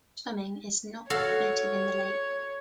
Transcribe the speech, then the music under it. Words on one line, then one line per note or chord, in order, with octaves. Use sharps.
Swimming is not permitted in the lake.
F#4 A4 C#5 F5